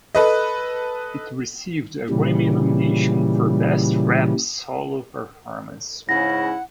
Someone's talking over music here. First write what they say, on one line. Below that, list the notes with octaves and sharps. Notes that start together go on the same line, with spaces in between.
It received a Grammy nomination for Best Rap Solo Performance.
A4 B4 D#5
A#2 C#3 E3 G3
G#2 C#3 E4 F#5 A#6